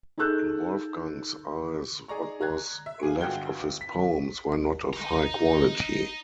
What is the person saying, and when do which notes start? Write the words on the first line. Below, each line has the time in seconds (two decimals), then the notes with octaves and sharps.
In Wolfgang's eyes, what was left of his poems were not of high quality.
0.18 D#4 G#4 A4 E6 F#6 G6
2.08 D#4 G#4 D5 A#5 C#6
2.41 A#5 F#6 G#6
2.86 E5
3.03 G#4 F5 G#5
3.21 G1 F4 F#4 G5 G#6 G7
3.81 B6
4.93 D#5 A#5